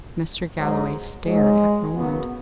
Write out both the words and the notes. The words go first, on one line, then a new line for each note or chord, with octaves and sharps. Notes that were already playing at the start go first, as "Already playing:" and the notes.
Mr. Galloway stared at Roland.
G#2 F#3
G#2 F#3 G#3
F#2 C#3 F#3 B3